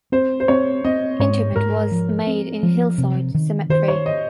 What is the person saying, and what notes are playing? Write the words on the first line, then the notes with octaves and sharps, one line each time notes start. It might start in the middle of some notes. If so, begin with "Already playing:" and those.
Interment was made in Hillside Cemetery.
C4 C5
C5
C4 C#5
C4 D#5
G#2 C#5
G#2 A#4
F3
C4
F3
C3
D#3
D#3 C5
C#5
D#5